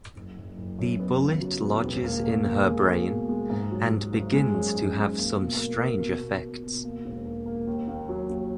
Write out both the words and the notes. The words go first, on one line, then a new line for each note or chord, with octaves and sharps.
The bullet lodges in her brain, and begins to have some strange effects.
F#1
F#1
F#1
F#2
B3
C#3
F#3
B3
E1
A#3
A#3
A#3
G#3
G#3
B2
G#3
G#2
F#3
F#3
G#1
G#3
F#2
F#2
G#3
A#3
B2
A#4
A#4
B2
B2
B2
B2
A#3
E1
A#3
A#3
D#2
D#2
F#3
D#2